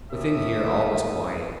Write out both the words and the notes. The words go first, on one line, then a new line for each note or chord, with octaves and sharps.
Within here all was quiet.
D#2 G4 E5 D#6